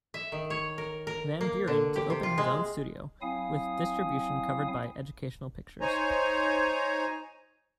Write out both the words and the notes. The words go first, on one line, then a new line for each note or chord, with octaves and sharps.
Van Beuren to open his own studio, with distribution covered by Educational Pictures.
E5
D#3
C#5
A#4
A#4
A#3
D3
G4
C3
F4
G#3
F#3 C4 E4 F5 G#5 D#6
D#4 C5 C#5 G#5 A#5